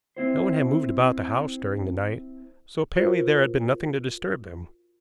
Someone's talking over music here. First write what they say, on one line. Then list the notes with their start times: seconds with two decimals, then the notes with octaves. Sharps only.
No one had moved about the house during the night, so apparently there had been nothing to disturb them.
0.17 C4 E4 C5
2.96 F4 F#4 A#4 C5